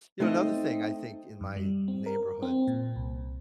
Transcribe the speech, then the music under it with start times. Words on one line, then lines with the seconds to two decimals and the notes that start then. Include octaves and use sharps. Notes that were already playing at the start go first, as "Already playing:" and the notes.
You know, another thing I think in my neighborhood,
0.20 A3 C4 D#4 D#5
1.41 F#2
1.57 G3
1.88 C4
2.06 A#4
2.43 C4
2.68 A#2
2.96 C2